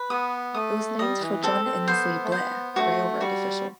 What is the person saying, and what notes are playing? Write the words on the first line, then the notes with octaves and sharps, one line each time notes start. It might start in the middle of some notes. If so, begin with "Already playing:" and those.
It was named for John Insley Blair, a railroad official.
Already playing: B4
B3 D#6
A3 D#6
G3 D#5
E3
C4 A4
C4
B3 C5
A3
B3 C5
A3 F#4
G3 F#4